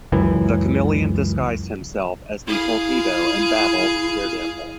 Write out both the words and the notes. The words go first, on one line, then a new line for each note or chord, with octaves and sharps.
The Chameleon disguised himself as the Torpedo and battled Daredevil.
C#2 F#2 E3
E4 G#4 F5